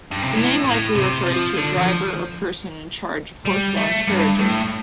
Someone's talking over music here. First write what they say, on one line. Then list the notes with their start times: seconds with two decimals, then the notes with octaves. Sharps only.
The name likely refers to a driver or person in charge of horse-drawn carriages.
0.11 G2
0.22 C3
0.33 A2
0.64 A2
0.95 C3
1.26 F3
1.57 D3
1.78 F3
3.45 G3
3.77 A3
4.07 G2
4.39 A2